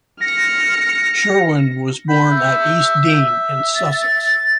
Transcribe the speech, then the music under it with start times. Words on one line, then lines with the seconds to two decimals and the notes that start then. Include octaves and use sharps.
Sherwin was born at East Dean in Sussex.
0.21 F6 A#6 C#7
2.09 B5 G6
2.31 E5
3.10 E5
3.76 A6